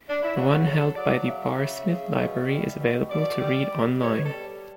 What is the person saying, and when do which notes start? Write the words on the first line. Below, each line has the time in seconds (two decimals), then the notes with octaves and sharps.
The one held by the Barr Smith Library is available to read online.
0.08 D4
0.22 E4
0.35 C#3 F#4
0.66 F#3 A4
0.95 F#3 D5
1.27 C#3 E5
1.57 C#3
1.88 C#3
2.19 B2
2.49 G3
2.79 B2
3.09 B2 D5
3.41 G3
3.70 G3
4.01 B2 C#5
4.24 A4
4.32 G3